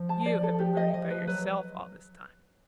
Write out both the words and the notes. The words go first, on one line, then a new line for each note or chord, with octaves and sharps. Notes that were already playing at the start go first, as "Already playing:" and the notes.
You have been learning by yourself all this time.
Already playing: F3
A5
D5
A4
G4
D#5
F3 D#5
B4
F#3 B4